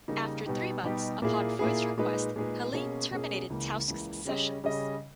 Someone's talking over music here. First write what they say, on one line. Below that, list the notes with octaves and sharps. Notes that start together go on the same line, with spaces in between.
After three months, upon Freud's request, Helene terminated Tausk's sessions.
C#3 G3 A#3 D#4 A#4
B2 G3 B3 D#4 G4
B2 G3 B3 D#4 G4
A#2 A#3 E4 G#4
A#2 A#3 E4 G#4
A#2 G#3 D#4 G#4 B4
A#2 G#3 D#4 G#4 B4
B2 A#3 C#4 G#4
B2 A#3 C#4 G#4
C#2 C#3 E3 A#3
C#2 C#3 E3 A#3
C#3 G3 C#4 G#4 D#5
C#3 G3 C#4 G#4 D#5